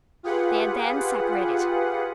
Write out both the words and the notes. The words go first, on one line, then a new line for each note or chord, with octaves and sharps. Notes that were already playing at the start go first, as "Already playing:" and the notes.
They had then separated.
F4 G4 G#4 B4 F#5